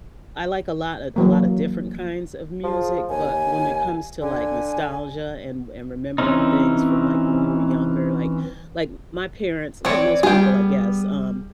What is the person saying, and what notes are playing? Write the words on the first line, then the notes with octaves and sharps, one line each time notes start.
I like a lotta a a lotta different kinds of music, but when it comes to, like, nostalgia, and and remembering things from, like, when we were younger, like like, my parents like most people, I guess, um,
E3 F#3 A#3
F3 G#4
D#2 G#5
D3 G#5
E3 C4 C#4 D#4
E3 C4 C#5 D5
G3 B3 G#4 G5